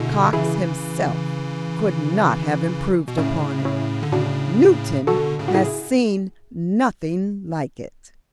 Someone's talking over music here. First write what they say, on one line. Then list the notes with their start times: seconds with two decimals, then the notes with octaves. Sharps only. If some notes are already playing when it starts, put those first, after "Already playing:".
Cox himself could not have improved upon it; Newton has seen nothing like it.
Already playing: B2 D3 E4 G#4
0.33 C#3 E3 E4 G#4
3.08 B2
3.18 A2 C#3 C#4 E4
3.65 C#4 E4
4.03 D3
4.12 A2 C#3 D4 F#4
5.07 B2 D3 F#4 A4
5.39 A2 C#3
5.48 F#4
5.55 E4 G#4